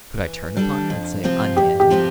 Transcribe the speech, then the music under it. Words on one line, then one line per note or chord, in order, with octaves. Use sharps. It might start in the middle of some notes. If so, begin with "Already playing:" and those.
Could I turn upon her and say "Unhand me"?
E3
G3 D4 A4
F2
C3 F3 C4 F4
F2 G4
G4
C3 F3 C4 F4